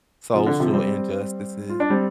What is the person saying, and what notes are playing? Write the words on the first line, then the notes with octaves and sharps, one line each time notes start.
social injustices.
C3 F3
D3
C3 F3
G3 C4
F4
D4
G3 C4